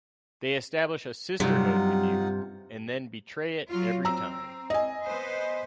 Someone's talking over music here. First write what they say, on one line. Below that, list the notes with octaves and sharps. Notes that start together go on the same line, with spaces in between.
They establish a sisterhood with you and then betray it every time.
G2 C3 F#3 G3 D#4 F4 F#5
F#3 F4
C4 A#5 E6
D#5 G#5
B3 B4 C5